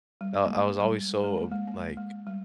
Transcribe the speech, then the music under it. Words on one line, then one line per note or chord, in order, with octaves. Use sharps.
I I was always so ob like
G3
A#3
G#3
G3
G#3
A#3
G#3
A#3
G#3
G3